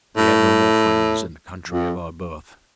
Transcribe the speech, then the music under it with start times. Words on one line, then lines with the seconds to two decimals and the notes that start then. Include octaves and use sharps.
We had no more friends in the country of our birth.
0.17 A2
1.67 F2